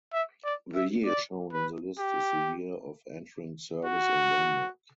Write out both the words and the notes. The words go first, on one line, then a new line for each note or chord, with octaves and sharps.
The year shown in the list is the year of entering service in Denmark.
E5
D5
E5
D5
B4
G4
F#4